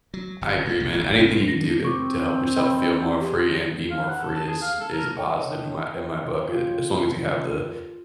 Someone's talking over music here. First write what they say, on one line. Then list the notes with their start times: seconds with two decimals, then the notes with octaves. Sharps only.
I agree, man. Anything you could do to to help yourself feel more free and be more free is is a positive in my in my book, a as long as you have the
0.14 F#3
0.41 G1 C#3
0.65 A#2 G#3
0.79 C2 A#3
0.92 D#1 A1 D2 E3
1.19 F1 E2 C4
1.48 D4 A#6
1.85 C4 C#6 D6
2.56 D#5 G5 B5
3.22 G4 G#4
3.91 F5
4.09 F#5
4.22 A4
4.34 A5
4.48 G#4
4.62 F5
4.80 A4
4.92 A#4
5.17 A4 C#5 D#5 G5
6.49 F4